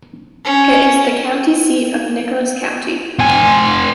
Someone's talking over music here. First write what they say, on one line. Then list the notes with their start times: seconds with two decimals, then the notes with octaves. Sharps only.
It is the county seat of Nicholas County.
0.45 C#4
3.19 C4 G#5